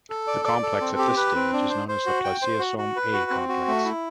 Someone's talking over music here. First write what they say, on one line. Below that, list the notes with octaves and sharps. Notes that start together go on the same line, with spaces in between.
The complex at this stage is known as the spliceosome A complex.
A4
D5
D5
A4
C4
G4
B4
C4
D4
C5
C5
F#4
G5
C5
F#4
F#4
B4
F#4
C4
F#4
A3
E4